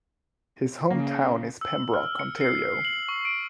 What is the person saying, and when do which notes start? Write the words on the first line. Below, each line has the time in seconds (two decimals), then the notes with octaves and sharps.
His hometown is Pembroke, Ontario.
0.90 C#3 A#3
1.61 E6
1.94 F6
2.19 C#7
2.41 C7
2.85 F#7
3.09 C#6
3.25 D7